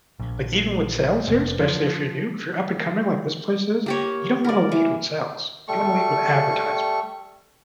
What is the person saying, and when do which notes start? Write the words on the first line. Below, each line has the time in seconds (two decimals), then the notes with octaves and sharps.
like, even with sales here, especially if you're new, if you're up and coming like this place is, you don't wanna lead with sales. You wanna lead with advertisement.
0.19 A#1
1.28 F1
1.59 F3
3.86 A#3 G4 C#5
4.44 A#4 D5
4.72 E3
5.68 G3 A3 C#6